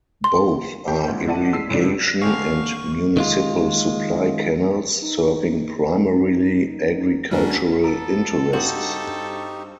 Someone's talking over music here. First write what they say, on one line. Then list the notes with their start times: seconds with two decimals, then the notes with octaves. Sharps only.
Both are irrigation and municipal supply canals serving primarily agricultural interests.
0.24 C6
0.88 G4
1.08 A1 D2 G#2
1.27 F3 E4 D5 F#5 A5 D#7
1.52 A2 G#3 E6 B6 C7
1.69 F1 C#2 A2 D4
2.22 D3 C4 G#4 F5 C#6
3.17 D#3 G#3 F4
5.02 D#4
7.31 D2 G3 C#4 D4 F#4 A#4
7.84 B3 A4 A#5
8.53 G2 C4 D#4 F#4 G4 A4 C5 C#6